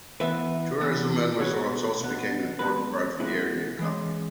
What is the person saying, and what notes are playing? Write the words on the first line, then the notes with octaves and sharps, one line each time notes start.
Tourism and resorts also became an important part of the area economy.
E3 B3 B4 E5
E3 B3
B2 B3 G#4 C#5
B2 B3
B2 G#3 B3 F#4 B4
B2 G#3 B3 E4 G#4
E3 G#3 C#4